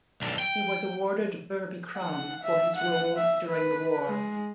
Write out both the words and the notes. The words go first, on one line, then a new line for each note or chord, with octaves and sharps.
He was awarded Bir Bikram for his role during the war.
B1 D3
G5
F#5
E5
F#5
E5
B4
G#3